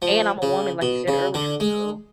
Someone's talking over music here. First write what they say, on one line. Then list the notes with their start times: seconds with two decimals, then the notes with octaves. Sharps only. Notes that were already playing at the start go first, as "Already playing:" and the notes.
And I'm a woman, like you said earlier, so
0.02 F3
0.42 C#3
0.82 B2
1.08 C#3
1.34 D3
1.60 G#3